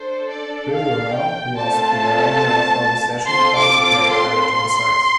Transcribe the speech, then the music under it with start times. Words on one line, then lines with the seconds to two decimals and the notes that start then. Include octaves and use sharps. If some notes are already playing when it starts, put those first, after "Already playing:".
Bill Ramall, who was the arranger for the session, also played baritone sax.
Already playing: D4 A4 C5
0.30 D5
0.72 F5
1.15 G5
1.57 A3 C4 F4 A4 A5
3.28 C4 F4 A4 C6
3.56 D6
3.85 D6
4.13 C6